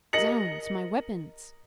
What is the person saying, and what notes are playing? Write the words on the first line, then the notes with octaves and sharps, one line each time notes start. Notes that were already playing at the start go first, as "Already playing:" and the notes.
"Zounds! my weapons."
A#4 D#5 A#6 C#7 F#7